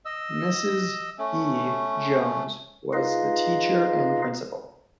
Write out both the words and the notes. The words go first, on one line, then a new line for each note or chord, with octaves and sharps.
Mrs. E. Jones was the teacher and principal.
D#5 E6
A3 C#4
D#4 F4 G#4 B4 D#5 F5